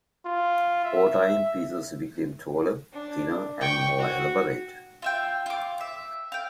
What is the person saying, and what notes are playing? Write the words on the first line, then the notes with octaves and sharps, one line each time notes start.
Over time, pieces became taller, thinner, and more elaborate.
F4
E5
D4
G5 C#6
F#4
F4 E5 G5
F4 D6
E5
F5 G5